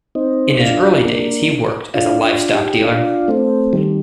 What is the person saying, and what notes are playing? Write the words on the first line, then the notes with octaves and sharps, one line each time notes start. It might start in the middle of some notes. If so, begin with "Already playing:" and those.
In his early days he worked as a livestock dealer.
C4 D#4
D4 F4
A#3 D4
D4 F4
D4 F4
D#4 G4
D4 F4
A3 C4
D#3 G3